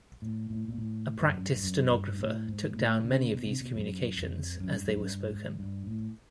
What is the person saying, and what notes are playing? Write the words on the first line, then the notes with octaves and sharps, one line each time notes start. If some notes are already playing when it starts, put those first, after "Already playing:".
A practiced stenographer took down many of these communications as they were spoken.
A2
A2
A#2
A2
G2
F#2
G2
G2
F#2
G2
G#2
A2
G#2
A#2
A2
C#3
B2
C3
B2
F#2
F2
F#2
G2
F#2
F#2
G2
G#2
G2
A2